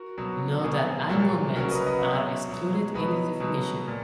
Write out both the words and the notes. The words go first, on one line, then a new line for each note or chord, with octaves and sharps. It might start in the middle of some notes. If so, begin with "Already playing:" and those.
Note that eye movements are excluded in the definition.
Already playing: F#4 A#4
B2 F#3
B2 F#3 G#4
A#2 F#3
C#3 F#3 F#4 A#4
B4 D#5
B4 D#5
F#5
B2 F#3 C#5 E5
B2 F#3
B2 F#3 B4 D#5
B2 F#3
A#2